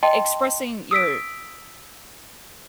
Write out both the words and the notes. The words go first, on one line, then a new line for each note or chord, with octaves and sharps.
e expressing your
D#5 G5 A5 C6
D#6 E6 B6 D7